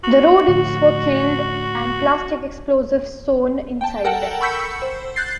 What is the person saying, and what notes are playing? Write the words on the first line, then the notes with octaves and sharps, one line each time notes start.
The rodents were killed and plastic explosives sewn inside them.
F#4
A2 D3 F3
G5 A5
A4 A#4 F#5 G5 A5
B5 C#6 E6 G6 B6 C#7
E6 C#7
C5
F#6 G6 A6 C7